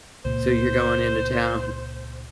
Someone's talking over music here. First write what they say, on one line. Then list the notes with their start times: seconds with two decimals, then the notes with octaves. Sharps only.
So you're going into town
0.25 C#2 A#2 C5